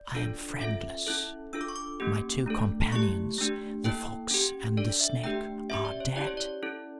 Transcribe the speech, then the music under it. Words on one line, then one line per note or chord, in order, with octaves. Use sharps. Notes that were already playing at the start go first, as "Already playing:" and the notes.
I am friendless: my two companions, the fox and the snake, are dead.
Already playing: D5
D4 F4 A4
C#4 F4 A4 E5
C#4 E4 A4
D4 F4 A4 E6
D6
C#6
D6
A#3 C#4 G4
A3 D4 A4
A3 E4 G4 C#6
A3 D4 G4
A#3 E4 A4 G5
C#4 G4
D4 A4 D5
E5
A3 D4 G4 G5
C#4 G4 E5
D5
C#5
C#4 E4 G4 D5
C#5
D5
C#4 E4 A4